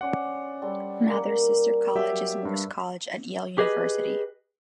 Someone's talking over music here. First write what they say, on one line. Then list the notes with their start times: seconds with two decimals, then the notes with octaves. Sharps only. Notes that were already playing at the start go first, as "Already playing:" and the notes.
Mather's sister College is Morse College at Yale University.
0.01 C#4 C5 D5 F#5
0.62 G3 A4 C6
1.08 A#3
1.95 F#3 G4 E5
2.45 G2 E5
3.58 G4 G#4 B4 D#5